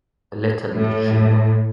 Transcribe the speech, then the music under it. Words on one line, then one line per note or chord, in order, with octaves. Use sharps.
Little did she know.
A2